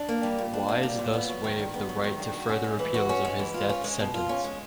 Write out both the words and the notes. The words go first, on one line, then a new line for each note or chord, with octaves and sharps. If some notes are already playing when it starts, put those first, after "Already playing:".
Wise thus waived the right to further appeals of his death sentence.
Already playing: D4
A#3
G3
A#2
D4
A#3
G3
A#2
B3
F#3
D#3
G2
B3
F#3
D#3
G2
F#4
C#4
G#3
E3
F#4
C#4
G#3
E3
F4
C#4
G#3
B2
F4
C#4
G#3